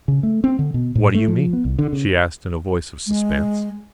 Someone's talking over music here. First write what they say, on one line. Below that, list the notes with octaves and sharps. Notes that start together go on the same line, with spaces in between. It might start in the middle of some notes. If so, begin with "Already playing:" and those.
"What do you mean?" she asked in a voice of suspense.
C#3
A3
C4
D3
B2
A2
A3
F3
B3
C2
D3
C#3
G#3